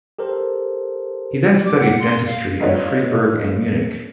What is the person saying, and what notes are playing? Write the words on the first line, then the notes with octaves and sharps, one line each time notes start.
He then studied dentistry in Freiburg and Munich.
G4 A4 A#4 C5
D5
D6
F#5
C6
F5
D#4 F4 A4 B4 C#5 D#5